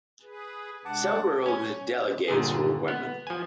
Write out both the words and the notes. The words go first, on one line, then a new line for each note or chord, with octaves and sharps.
Several of the delegates were women.
G#4 B4
C3 G#3 D4 F#5 A5 D6
C#4 G#5
G1 A#2 D3 G#4
B3
F3 G#5